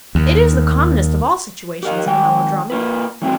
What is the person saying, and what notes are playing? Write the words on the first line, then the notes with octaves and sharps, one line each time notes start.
It is the commonest of all situations in a melodrama.
D#2
G4 A#4 D#5 F5
D#3 G#3 G5
A#3 F4 B4
E3 G3 A3 C4 D4 F#4